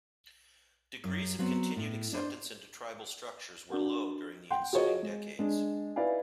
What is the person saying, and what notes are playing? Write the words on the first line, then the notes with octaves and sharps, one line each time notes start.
Degrees of continued acceptance into tribal structures were low during the ensuing decades.
F#2
F#3 B3 C4
A2
D4 B4 C5
D4 F#4 A#4
F#5 G5 C6
F4 F#4 G#4 A#4 C#5 D#5
G#3
G#3 D4
D#4 E4 B4 D5 F5 G#5